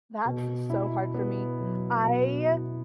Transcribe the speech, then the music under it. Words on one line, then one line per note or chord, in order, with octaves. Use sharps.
That's so hard for me. I
B2
E4
B3
F#3
B2
E4